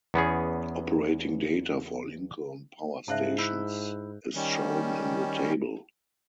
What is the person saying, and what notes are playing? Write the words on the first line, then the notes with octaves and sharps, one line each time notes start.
Operating data for Lincoln power stations is shown in the table.
E2 B3 C#4 G#4
G#2 C#3 E5 F5 A5 F#6
E4 G6
D#3 G3 C#4